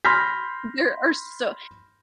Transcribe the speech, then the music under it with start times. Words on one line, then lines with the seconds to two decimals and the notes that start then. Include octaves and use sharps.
there are so
0.05 B5 C6 F6 G6 A#6 B6